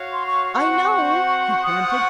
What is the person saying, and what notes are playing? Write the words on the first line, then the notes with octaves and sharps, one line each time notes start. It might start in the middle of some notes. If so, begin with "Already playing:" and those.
"I know!" he panted.
Already playing: F#4 C#5 F5
C6
C#6
C4 F#4 C5 F#5 C#6
F4 C5 F#5 D#6
C#6